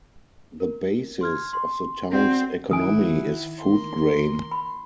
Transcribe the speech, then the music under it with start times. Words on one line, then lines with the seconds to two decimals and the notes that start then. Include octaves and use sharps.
The basis of the town's economy is food grain.
0.60 A#4
1.21 C6 F6 G#6
1.53 C6
2.12 C4 F#4 D5 F#5
2.71 D#3 E4 F#5 G#5 D#6
3.59 A#3 C6
4.51 B5